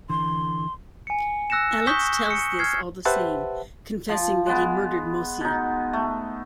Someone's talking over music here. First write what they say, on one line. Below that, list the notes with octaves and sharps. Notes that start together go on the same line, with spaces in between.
Alex tells this all the same confessing that he murdered Mosi.
D3 E3 C6
G#5 C#7
E6 F#6 A#6 C#7 E7
C#6 D#6 G6 B6 G7
C#7
F6 G#6 C7
G4 B4 C5 E5 F#5 A5
F3
G#3 B3
B2 D#4
A3